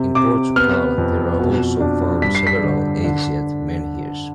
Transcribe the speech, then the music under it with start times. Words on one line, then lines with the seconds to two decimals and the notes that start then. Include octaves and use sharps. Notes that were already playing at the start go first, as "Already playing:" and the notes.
In Portugal, there are also found several ancient menhirs.
Already playing: C3
0.15 C3 D6
0.56 B3 F6
0.98 F2
1.40 B2
1.80 D4
2.22 G2 B6
2.35 C7
2.47 B6
2.64 D3
3.04 D3